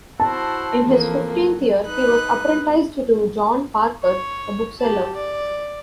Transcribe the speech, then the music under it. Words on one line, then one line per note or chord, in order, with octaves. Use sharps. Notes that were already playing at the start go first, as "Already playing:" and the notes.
In his fifteenth year he was apprenticed to John Parker, a bookseller.
E4 F#4 C5 A5
F2 E3 A#3
F#3
D#4 B4 F#6
C#5
G4 A5
D5